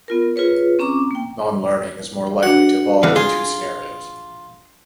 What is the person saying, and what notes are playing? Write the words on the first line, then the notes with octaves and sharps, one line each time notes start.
Non-learning is more likely to evolve in two scenarios.
B3 F4 A#4
F4 G#4 B4 C#5
C4 C#4 A#5 C#6 D6
A#3 G5
D4 F#4 F#5
D3 E3 F5
F4 G#4